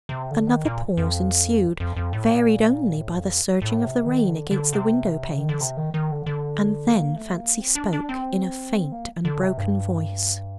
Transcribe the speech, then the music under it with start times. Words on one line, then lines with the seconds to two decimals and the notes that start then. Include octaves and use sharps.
Another pause ensued, varied only by the surging of the rain against the window-panes, and then Fancy spoke, in a faint and broken voice.
0.09 C3
0.31 D3
0.47 D#3
0.65 A#2
0.97 F2
1.80 F2
1.97 F2
2.13 A2
2.30 A#2
2.96 A2
3.17 F2
3.62 A2
3.85 C3
4.06 D#3
4.28 D3
4.51 D3
4.73 C3
5.38 D#3
5.49 D3
5.61 C3
5.77 D#3
5.94 D#3
6.11 D3
6.26 D3
6.93 A#3
7.15 A3
7.37 A#3
7.60 C4
7.75 D4
7.93 D4
8.09 C4
8.92 A#3
9.25 D3
9.41 C3
9.57 G2